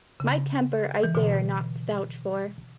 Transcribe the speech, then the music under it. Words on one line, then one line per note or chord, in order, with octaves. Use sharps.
My temper I dare not vouch for.
C#3
E3
B2 D3